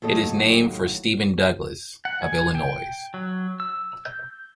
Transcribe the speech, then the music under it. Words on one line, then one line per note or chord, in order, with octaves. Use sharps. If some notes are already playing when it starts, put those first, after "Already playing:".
It is named for Stephen Douglas, of Illinois.
D#2 A2 F#3 A4 D#5
F#5
G#5
G5
F#3
E6
G6